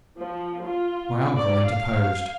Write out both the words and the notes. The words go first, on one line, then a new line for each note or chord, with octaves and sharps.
My uncle interposed.
F3
F4
D5
F5